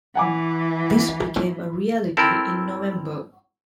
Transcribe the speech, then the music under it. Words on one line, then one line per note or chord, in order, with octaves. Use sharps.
This became a reality in November.
E3 F#5 G#5 D6
C4 E4 A4 A#4